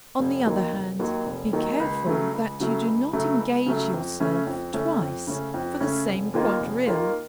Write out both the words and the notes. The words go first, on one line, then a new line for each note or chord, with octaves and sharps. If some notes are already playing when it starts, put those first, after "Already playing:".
On the other hand, be careful that you do not engage yourself twice for the same quadrille.
F1
D#2 D#3 F#3
F1
D#2 D#3 F#3
F1
D#2 D#3 F#3
C#2
C#3 F#3 A3
C#2
C#3 F#3 A3
C#2
C#3 F#3 A3
C#2
C#3 F#3 A3
F2
C#3 A3 C#4
F2
C#3 A3 C#4
F2
C#3 A3 C#4
F2
C#3 A3 C#4
F1
D#2 D#3 A#3 F4
F1
D#2 D#3 A#3 F4